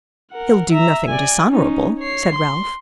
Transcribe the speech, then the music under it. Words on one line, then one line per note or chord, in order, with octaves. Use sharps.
"He'll do nothing dishonourable," said Ralph.
A#4 F#5
E5 A#5
D5 G#5
C#4 D#4
C#5 C7
C6